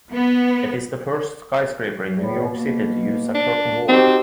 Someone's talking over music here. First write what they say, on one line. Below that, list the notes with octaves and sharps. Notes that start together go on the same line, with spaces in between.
It is the first skyscraper in New York City to use a curtain wall.
B3
E2 A2
B2 A#3
D4
C4 D#4 F#4 G4